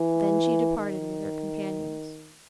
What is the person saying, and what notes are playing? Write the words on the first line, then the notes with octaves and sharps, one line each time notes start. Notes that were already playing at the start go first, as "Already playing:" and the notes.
Then she departed with her companions.
Already playing: E3
D#3